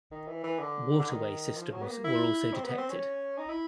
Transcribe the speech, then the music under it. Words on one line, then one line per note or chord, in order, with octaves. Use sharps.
Waterway systems were also detected.
D#3
E3
E3
D3
D3
D#3
F3
F#3
B3
A#3
E4
C4
B3
C4
C#4
D#4
E4